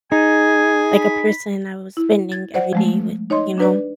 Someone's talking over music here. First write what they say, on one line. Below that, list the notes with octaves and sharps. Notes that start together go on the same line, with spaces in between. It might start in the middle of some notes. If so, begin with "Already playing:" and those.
like, a person I was spending every day with, you know?
D#4 G#4 G#5
B5
E4
G#6 A6
C5 D5 F#5
F3 G#3 A3
D#4 C#5 D#5 C6
D4 B4 D5